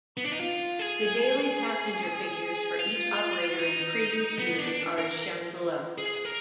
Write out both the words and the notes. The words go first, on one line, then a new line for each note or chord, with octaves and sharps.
The daily passenger figures for each operator in previous years are as shown below.
B3
D4
D#4
F4
G#4
F4
D#4
B3
D4
A#4
G#4
A#4